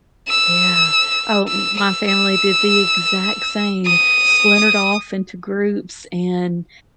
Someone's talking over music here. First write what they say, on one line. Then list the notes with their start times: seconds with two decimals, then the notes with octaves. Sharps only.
Yeah. Oh, m my family did the exact same, splintered off into groups, and,
0.29 E6
1.48 E6
1.77 E6
2.07 E6
3.86 D#6